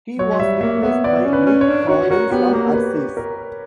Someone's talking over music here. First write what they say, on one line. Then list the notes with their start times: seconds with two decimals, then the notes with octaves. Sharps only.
He was replaced by Nick Cordle from Arsis.
0.18 F#3 C#5
0.40 G3 E5
0.61 A#3 E5
0.83 B3 E5
1.04 B3 D5
1.25 C#4
1.33 B4
1.46 C#4
1.61 C#5
1.68 D4
1.89 F#4 C#5
2.10 F#4 A#4
2.31 B3 G4
2.53 A#3 A#4
2.74 B4
3.17 A#4